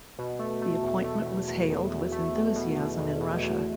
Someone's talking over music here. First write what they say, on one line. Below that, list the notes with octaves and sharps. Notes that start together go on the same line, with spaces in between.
The appointment was hailed with enthusiasm in Russia.
B2
A3
A3
E2
A3
E2
E2
E2
E2
A3
E2
B2
B2
E2
B2
E2